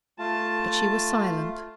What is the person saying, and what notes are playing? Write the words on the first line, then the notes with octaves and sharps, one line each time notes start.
But she was silent.
A3 F4 A5